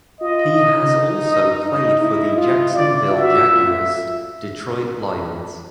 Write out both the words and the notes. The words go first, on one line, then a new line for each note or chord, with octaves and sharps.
He has also played for the Jacksonville Jaguars, Detroit Lions.
F4 D#5
D#4
D#5
D#4 D#5
E4
F4
F4 D5
F#4 E5
F4